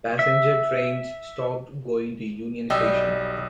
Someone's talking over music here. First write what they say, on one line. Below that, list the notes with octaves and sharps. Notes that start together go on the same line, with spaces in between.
Passenger trains stopped going to Union Station.
E5
B1 G3 D#5 E6